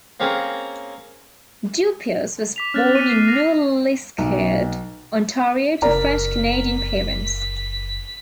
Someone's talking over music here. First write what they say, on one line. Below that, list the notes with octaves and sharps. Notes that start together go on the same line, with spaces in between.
Dupuis was born in New Liskeard, Ontario to French-Canadian parents.
A#3 C4 C#4 G#4 A#4
D6 B6 F7
C#4 C5 F6 F#6 A6
B3 D#7 F7
C7
A#6 C7
B1
F#1 A#4 D5 A#5 B6